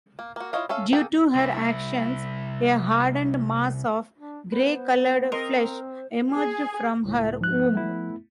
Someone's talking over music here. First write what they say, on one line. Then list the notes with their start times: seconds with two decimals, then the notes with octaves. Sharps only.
Due to her actions, a hardened mass of grey-colored flesh emerged from her womb.
0.19 A#3
0.36 A#3 F#4
0.53 E4 F4 C#5 D#5 F5
0.69 C#4 A4 E5 F5
0.93 A#3 G#4 A4 G5
1.35 C2 E4
4.19 D4
4.52 B3 B4 C5
5.32 C4 A#4 D#5 C6 D#6
6.32 G#4
7.05 C#2 A2
7.41 G#2 F3 F#6
7.73 A3 B3 E4